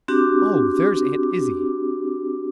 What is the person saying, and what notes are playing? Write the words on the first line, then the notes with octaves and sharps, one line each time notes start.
Oh, there's Aunt Izzie!
C4 D4 F#4 G4 D6